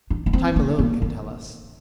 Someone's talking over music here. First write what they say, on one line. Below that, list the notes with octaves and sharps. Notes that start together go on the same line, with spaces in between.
Time alone can tell us.
D4
D4
C4
A#3
A#3
D#3